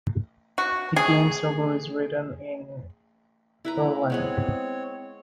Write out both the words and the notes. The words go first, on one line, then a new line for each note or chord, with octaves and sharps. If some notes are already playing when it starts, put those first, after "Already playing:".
The game server is written in Erlang.
F#4
G#4
E4 B4 A#5
G#3 B3 C4 G#4 C#5